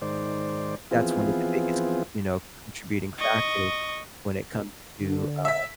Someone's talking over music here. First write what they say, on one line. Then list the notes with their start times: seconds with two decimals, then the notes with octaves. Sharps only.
that's one of the biggest, you know, contributing factors when it comes to, uh,
0.02 G#2 D#3 C5 D5
0.91 E3 F3 B3 C4 F4 G#4
3.18 D#5 C#6
4.98 D3
5.45 E5 B6